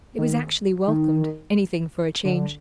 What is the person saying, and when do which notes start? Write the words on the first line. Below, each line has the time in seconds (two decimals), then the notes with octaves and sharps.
It was actually welcomed; anything for a change!
0.18 D#3
0.88 D#3
2.25 D3